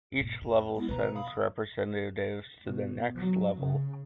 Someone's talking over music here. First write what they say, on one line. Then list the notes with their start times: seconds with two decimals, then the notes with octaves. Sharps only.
Each level sends representatives to the next level.
0.17 G#2 B2
0.42 F2 C#4
0.75 G#3 B3 E4
0.89 B2 F3 B4 A#5
1.15 F5 B5 D#6
2.64 B2
3.14 F#3
3.59 C#3